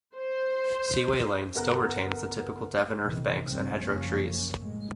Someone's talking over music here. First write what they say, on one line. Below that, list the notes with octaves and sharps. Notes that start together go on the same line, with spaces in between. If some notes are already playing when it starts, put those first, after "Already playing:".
Seaway Lane still retains the typical Devon earth banks and hedgerow trees.
C5
G1 B3 A#4 F#6
A#1 A2 C3 D#3 E3
G1 C2 C#3 C4
F#1 F3 A#3 C#4
A2 G#3